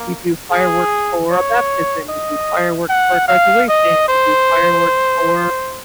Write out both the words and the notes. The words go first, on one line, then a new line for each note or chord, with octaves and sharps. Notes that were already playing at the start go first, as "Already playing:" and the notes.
you do fireworks for a baptism, you do fireworks for a graduation, you do fireworks for,
Already playing: A#3
G#4
C#5
D#5
F#5
F5
D#5
C5